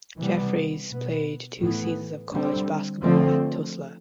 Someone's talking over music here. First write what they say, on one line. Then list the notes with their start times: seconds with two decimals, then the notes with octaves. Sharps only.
Jeffries played two seasons of college basketball at Tulsa.
0.18 C3 E3 G3 B3
0.89 B2 B3
1.60 A2 E3 B3
2.31 D3 G3 C4
3.03 D3 F3 A3 C4